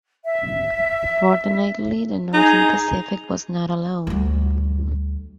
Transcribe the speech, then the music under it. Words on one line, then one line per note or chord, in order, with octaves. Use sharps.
Fortunately, the Northern Pacific was not alone.
E5
D#4 G#4
D2 G3